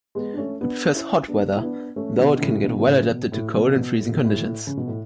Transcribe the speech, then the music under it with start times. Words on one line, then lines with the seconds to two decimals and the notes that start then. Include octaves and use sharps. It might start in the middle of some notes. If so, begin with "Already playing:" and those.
It prefers hot weather, though it can get well adapted to cold and freezing conditions.
0.15 G#3 B3
0.34 D4
0.38 A3 C#4
0.61 B3 D4
0.94 C#4 E4
1.28 B3 D4
1.56 E4
1.62 B3 D4
1.96 A3 C#4
2.18 B2 D3
2.37 D3
2.41 A2 C#3
2.64 B2 D3
2.80 B2
2.86 A2 C#3
3.09 B2
3.32 A2
3.55 B2
3.67 C#3
3.76 B2
3.99 A2
4.12 B2
4.25 A2
4.67 C#3
4.77 B2
4.87 A2